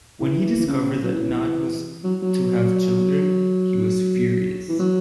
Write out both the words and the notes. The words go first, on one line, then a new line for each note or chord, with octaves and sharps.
When he discovered that Nut was to have children, he was furious.
E3
E3
C#3
F#3
E3
F#3
F#3
E3
F#3